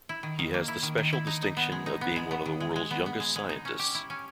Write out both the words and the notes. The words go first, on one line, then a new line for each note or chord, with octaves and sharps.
He has the special distinction of being one of the world's youngest scientists.
E4
D#3
D#3
A#3
E4
D#3
D#3
E4
D#4
D#4
B3
G#3
D#4
B3
G#3
B3
D#3
G#3
G#3
B3
B3
G#3
G#3
D#4
C#4
G4
E4
C#4